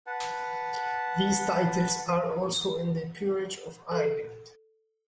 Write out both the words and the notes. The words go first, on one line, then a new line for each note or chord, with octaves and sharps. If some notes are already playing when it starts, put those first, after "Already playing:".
These titles are also in the Peerage of Ireland.
B4 F#5 A5
A4